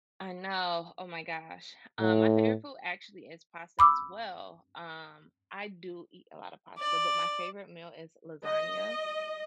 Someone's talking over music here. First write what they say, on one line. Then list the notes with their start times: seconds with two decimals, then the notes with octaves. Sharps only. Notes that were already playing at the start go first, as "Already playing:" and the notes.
I know, oh my gosh. Um, my favorite food actually is pasta, as well. Um, I do eat a lot of pasta, but my favorite meal is lasagna.
1.99 A2
3.79 B5 D6 E6
6.79 D5
8.45 D#5